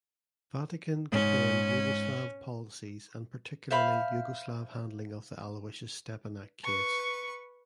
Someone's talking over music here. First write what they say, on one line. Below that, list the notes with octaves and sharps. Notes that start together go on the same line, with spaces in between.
Vatican condemned Yugoslav policies and particularly Yugoslav handling of the Aloysius Stepinac case.
G#2 C#4
C5 E5 F5 B5
B4 C#6